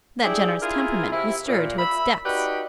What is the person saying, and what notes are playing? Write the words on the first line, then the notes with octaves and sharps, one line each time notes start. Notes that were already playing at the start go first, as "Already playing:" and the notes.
That generous temperament was stirred to its depths.
D4 E4 G4 G#4 D5
E4 F4 G#4 A#4
C3 E4
A#2
E5 B5
D#4 F#4 G4 B4 D5